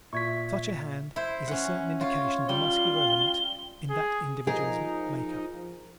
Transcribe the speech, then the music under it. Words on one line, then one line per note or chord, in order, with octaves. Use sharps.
Such a hand is a certain indication of the muscular element in that individual's makeup.
A#2 E5 C#6 G#6 B6
E4 C5
C#4 F#5
F4 C#5
G3 F4 G7
G#4
F3 D#4 G#4 A#4